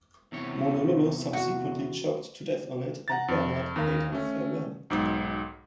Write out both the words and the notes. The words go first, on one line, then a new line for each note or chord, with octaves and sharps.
Monolulu subsequently choked to death on it and Bernard bade him farewell.
E2 C3 C#5
F#4
F#5 A#5 A6
F2
D#2 A#4 F5
A3 C#4
B1 G#2